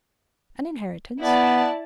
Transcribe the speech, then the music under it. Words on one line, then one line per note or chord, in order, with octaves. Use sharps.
"An inheritance?"
B3 E4 D5 A5